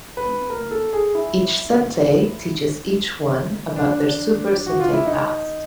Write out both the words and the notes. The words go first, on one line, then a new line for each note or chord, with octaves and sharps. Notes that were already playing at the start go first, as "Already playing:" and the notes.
Each sentai teaches each one about their Super Sentai past.
B4
A#4
A4
G#4
E4
D4
F#4
F4
E4
D#4